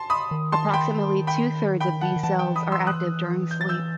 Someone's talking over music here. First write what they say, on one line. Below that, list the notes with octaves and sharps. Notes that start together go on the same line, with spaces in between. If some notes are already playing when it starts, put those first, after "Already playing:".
Approximately two thirds of these cells are active during sleep.
Already playing: A5 C6
B5 D#6
D#3
A5 C6
G5 B5
G5 B5
G5 B5
F#5 A5
D#3
E3 F#5 A5
G5
B5 D#6
C6 E6
D#6 F#6
G6
A6
E6 G6